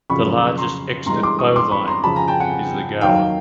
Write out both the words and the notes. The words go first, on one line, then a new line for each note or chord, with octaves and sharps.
The largest extant bovine is the gaur.
F2 C#3 F#3 B5 C#6
A#5 C6
G2 E3 G#3 A#5 C6
C6 D6
C#6 D#6
C6 D6
B5 C#6
A#5 C6
F2 C#3 F3 A5 B5
G#5 A#5
G5 A5
F#5 G#5
D#2 D#3 F#3 F5 G5